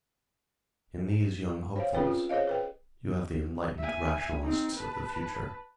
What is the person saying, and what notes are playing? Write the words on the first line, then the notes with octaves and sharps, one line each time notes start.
In these young hopefuls you have the enlightened Rationalists of the future.
C5 C#5 F5
C4 C#4 F4 G#4 B4 G5
F4
G#4 C5 C#5 D#5 F5
G#4 B4 G5
E5 G#5
C4 D#4
B4 A5